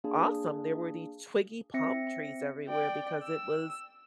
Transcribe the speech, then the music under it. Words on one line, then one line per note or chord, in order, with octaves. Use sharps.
awesome. There were these twiggy palm trees everywhere because it was
A#3 D4 G#4
C4 E5 A#6 C#7
D5 G5
E6